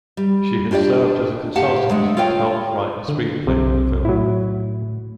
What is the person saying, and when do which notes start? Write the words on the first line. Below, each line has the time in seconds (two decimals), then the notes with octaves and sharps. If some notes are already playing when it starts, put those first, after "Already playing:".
She had served as a consultant and helped write the screenplay for the film.
0.17 G3
0.71 D4 F4 G4 C5 D5
1.56 A2 G4 F5 F#5 A5
1.89 D3 G#3 A3
2.17 F4 A4 A#4 C#5 F5 G5
3.08 D3
3.47 B1 C3
4.05 A2 F#3 E4